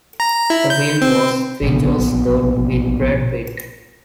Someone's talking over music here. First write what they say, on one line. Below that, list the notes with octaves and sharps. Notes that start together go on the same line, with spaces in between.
The film was Fincher's third with Brad Pitt.
A#5
E4
G6
C4
A#1 B2